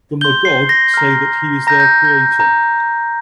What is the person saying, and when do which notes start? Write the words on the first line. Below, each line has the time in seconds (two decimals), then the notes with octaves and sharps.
The Magog say that he is their creator.
0.21 C6 G6 G7
0.45 C7
0.69 A#6
0.94 A#5 F6
1.67 A#5 G6 A#6
1.80 G6
2.05 G6
2.40 A#5 G6